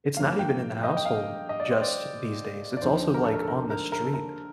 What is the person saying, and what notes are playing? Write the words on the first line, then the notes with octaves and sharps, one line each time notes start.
It's not even in the household, just these days, it's also, like, on the street.
G2 F3 A#3 F5
G5
D#5
G5
F5
D#5
D5
C5
D5
D5
D#2 D3 F3 C5
A#4
A4
A#4
A4
A#4
A#4
A#4
A4
A#4